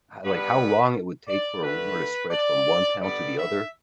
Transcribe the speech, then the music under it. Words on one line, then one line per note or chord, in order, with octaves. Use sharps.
H like, how long it would take for a rumor to spread from one town to the other?
G2 G3 B3 B4
D5
D3 A3 B4
D5
D3 G3 B3 D5
E5